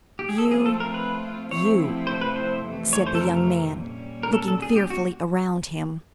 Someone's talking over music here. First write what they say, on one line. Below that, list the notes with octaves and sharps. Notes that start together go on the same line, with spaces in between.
"You--you?" said the young man, looking fearfully around him.
G4
G#4
F3 A3 C4 F4 A4
G#4
A4
A#4
B4
C3 F3 A3 C4 E4 C#5
C5
B4
C5
F2 C3 E3 A3
C#5
C5
A4
A#4
A#2 G3 A#3 C#4
A#4
A4
A4
G#4
G4
F#4